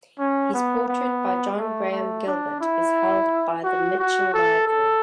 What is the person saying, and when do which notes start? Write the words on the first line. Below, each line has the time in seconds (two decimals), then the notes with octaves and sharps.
His portrait by John Graham Gilbert is held by the Mitchell Library.
0.19 C#4
0.54 B3
0.88 B3
1.58 A3
1.91 A3
2.26 D4
2.61 E4
3.64 F#4
3.99 F#4
4.33 A4
4.68 A4